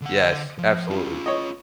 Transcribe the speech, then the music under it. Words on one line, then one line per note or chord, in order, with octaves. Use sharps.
yes, absolutely.
D3 F#5
F3
C#4 F4
C#5 D#5